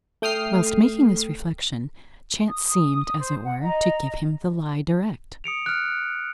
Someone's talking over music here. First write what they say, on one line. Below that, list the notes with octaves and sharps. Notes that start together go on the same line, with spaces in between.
Whilst making this reflection, chance seemed, as it were, to give him the lie direct.
A3 G5 D#6 F6 C7
D#6
C5
F#5
D#5 A#5
D#6 C#7 D7 F7
F6 F#6